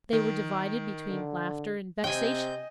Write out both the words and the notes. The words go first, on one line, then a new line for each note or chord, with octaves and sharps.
They were divided between laughter and vexation.
D#3
D3
C3 C4 D#5 G5 G#5 G6